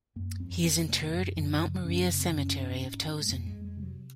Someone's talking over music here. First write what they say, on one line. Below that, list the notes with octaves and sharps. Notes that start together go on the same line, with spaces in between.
He is interred in Mount Maria Cemetery of Towson.
F#2 A#3
F2 C4
F2 C4
C3 A#3
F#2
F#2 F3
C#3 F3
F#2 C#4
C4
C#3
C4
F#2
C#4
G#2
G#2
G#2
G#3
F2 A#3
G#3
F2
G#3
C3
F#3